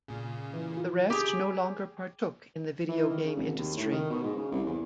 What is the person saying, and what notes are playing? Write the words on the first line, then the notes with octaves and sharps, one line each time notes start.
The rest no longer partook in the video game industry.
A#2 C#3
E3
F4
G4 G#4
E3
D#3
C#3
G#1
D#2
A2
D#3
B2
G#2
C#3
C2
E2